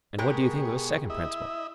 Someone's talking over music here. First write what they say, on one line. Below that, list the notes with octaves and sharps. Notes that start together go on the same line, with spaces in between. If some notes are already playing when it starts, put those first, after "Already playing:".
And what do you think of a second principle?
B2 G#3 G4 G#4 A#4 C#6
E4 D#5 E5